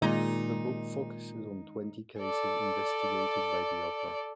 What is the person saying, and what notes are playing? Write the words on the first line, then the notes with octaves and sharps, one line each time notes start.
The book focuses on twenty cases investigated by the author.
A#2 D#3 G#3 D#4
A4 D5